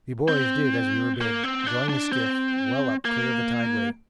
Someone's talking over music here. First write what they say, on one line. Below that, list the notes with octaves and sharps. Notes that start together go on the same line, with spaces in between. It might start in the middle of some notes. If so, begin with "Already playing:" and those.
We boys did as we were bid, drawing the skiff well up clear of the tideway.
C4
A#3
C4
D4
D4
C4
A#3